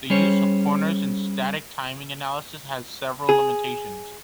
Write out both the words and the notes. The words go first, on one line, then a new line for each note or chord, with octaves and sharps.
The use of corners in static timing analysis has several limitations.
G3 C#4 G#4 C5 C#5
G#4